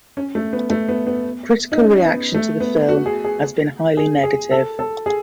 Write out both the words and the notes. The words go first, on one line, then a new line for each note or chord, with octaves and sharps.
Critical reaction to the film has been highly negative.
C#4
A3
B3
A3
B3
B3
D#4
C#4
B3
A3
B3
F#4
G#4
G#4
G#4
G#4
A4
A4
G#4